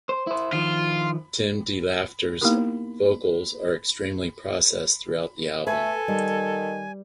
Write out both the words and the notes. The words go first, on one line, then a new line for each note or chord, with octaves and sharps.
Tim DeLaughter's vocals are extremely processed throughout the album.
C5
E4 C5
D#3 F3 F4
A#3 B3 D#4 E4 G4 A#4
A3 A4 B4 G#5
D#3 G3